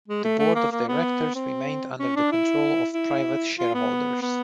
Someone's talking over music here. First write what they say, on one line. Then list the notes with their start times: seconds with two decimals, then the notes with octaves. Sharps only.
The board of directors remained under the control of private shareholders.
0.08 G#3
0.24 A3
0.40 A3
0.56 A#3
0.72 A#3
0.88 B3
1.35 C4
1.99 C#4
2.16 D4
2.32 E4
2.95 E4
3.59 F4
3.74 B3
4.22 B3